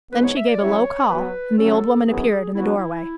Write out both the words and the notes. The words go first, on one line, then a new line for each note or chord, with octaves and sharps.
Then she gave a low call, and the old woman appeared in the doorway.
G#2 E3 B3 B4
C#5
E5
D5
F#3 C#4 E4 C#5
F#3 B3 F#4 B4
C#3 F#3 A3 C#4 A4
F#2 E3 B3 G#4
F#3 B3 E4 F#4
D4
E4